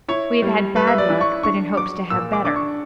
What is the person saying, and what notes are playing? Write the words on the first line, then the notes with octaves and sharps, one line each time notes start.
We have had bad luck, but in hopes to have better.
E4 C#5
G3
G3 B4
E5
D5
E4
C#6
D4 C#6
F#3 D6
A#2 E6
D6
D4 D6
C#6